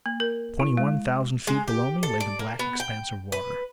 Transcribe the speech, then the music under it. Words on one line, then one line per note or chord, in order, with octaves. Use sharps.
Twenty-one thousand feet below me lay the black expanse of water.
A#3
A#4
E4
G#3
G#3
G4
A4
D5
A#3
B3
G5
B4